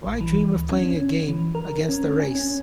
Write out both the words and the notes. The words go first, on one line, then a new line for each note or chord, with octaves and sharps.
Why dream of playing a game against the race?
A#1
E3
D2
C#4
C#4
E3
A#4
C#4
G#5
C#4